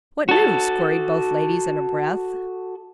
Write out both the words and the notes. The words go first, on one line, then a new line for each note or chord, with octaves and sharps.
"What news?" queried both ladies in a breath.
F#4 A4